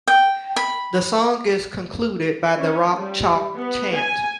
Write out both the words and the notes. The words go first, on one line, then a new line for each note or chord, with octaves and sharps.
The song is concluded by the Rock Chalk Chant.
G5
B5
C#4
G3
B3
G#5